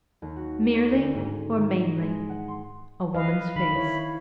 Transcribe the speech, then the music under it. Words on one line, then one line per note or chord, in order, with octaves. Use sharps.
Merely, or mainly, a woman's face.
D#2
F#4
C#5
D2
G#2
D#3
D#5
G#3
F#5
C6
B4 D#5 F5
D#3 B5
E4 C#5